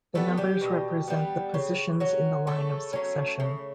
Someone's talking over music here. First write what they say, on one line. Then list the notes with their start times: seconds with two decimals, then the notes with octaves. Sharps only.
The numbers represent the positions in the line of succession.
0.15 G3 A3 B3 A4
0.37 G3 G4
0.61 B2
1.07 G3 B3
1.54 C#3
2.00 F#3 C#4
2.47 C#3 A3 A4
2.93 F#3 C#4
3.40 C#3